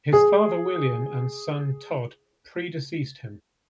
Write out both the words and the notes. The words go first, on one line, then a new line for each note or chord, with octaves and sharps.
His father William and son Todd predeceased him.
G#4